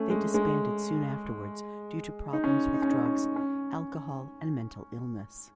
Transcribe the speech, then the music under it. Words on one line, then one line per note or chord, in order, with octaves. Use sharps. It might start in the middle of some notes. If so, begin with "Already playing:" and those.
They disbanded soon afterwards due to problems with drugs, alcohol and mental illness.
Already playing: A3 C#4
G#3
G#3
D#4
C#4
D#4
C#4
D#4
C#4
C#4